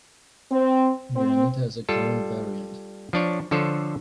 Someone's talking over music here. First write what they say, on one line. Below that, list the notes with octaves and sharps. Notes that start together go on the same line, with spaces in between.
Juanita is a common variant.
C4
C4
G3 F4 A4
F3 D4 C#5
D3 F3 A4 C5 C#5